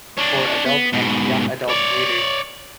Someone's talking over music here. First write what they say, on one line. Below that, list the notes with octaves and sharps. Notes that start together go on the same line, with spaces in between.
For adult and young adult readers.
D4 C#5
B3
G#2 B2
C#5 D5